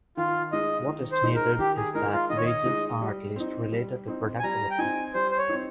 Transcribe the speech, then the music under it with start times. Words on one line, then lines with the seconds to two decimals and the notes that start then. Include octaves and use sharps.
What is needed is that wages are at least related to productivity.
0.17 D#3 F4
0.52 G#3 D#4 D#5
0.88 D#3
1.12 C5
1.24 G#3 D#4
1.35 A#4
1.59 D#3 G4
1.77 G#4
1.94 G#3 D#4 A#4
2.13 F4
2.30 D#3 D#5
2.37 C#5
2.45 D#5
2.66 G#3 D#4
3.01 G3
3.36 C4 D#4
3.72 G3
4.08 C4 D#4
4.39 G#5
4.44 G3 A#5
4.70 G5
4.78 C4 D#4 G#5
5.14 G3 C5
5.31 C5
5.38 C#5
5.49 C4 D#4